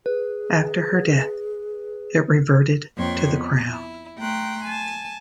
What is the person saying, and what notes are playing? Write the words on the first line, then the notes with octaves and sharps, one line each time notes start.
After her death, it reverted to the crown.
G#4 B4
F2 A#3 C#5 G5 C6
B3
E4
A3 G5 A#5 C6 F#6
G#5 A5